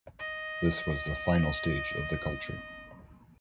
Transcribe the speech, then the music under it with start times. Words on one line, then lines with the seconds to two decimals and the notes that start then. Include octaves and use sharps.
This was the final stage of the culture.
0.20 D#5